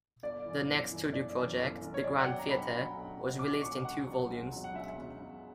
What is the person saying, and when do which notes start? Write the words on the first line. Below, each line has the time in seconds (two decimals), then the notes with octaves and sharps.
Their next studio project, "The Grand Theatre", was released in two volumes.
0.23 G1 D5
0.46 F#2 E3
0.69 G1
0.91 F#2 E3
1.13 G1 D5
1.37 F#2 E3
1.59 G1
1.81 F#2 E3
1.94 C#5
2.04 B1 D5
2.20 F#5
2.26 B2 F#3 G5
2.39 A#5
2.49 B1 B5
2.71 B2 F#3
2.94 B1
3.17 B2 F#3
3.39 B1 D6
3.61 B2 F#3 C#6
3.85 C#2 F#5
4.07 B2 F#3
4.30 C#2
4.52 B2 F#3
4.64 F#5
4.74 C#2 E5
4.98 B2 F#3
5.20 C#2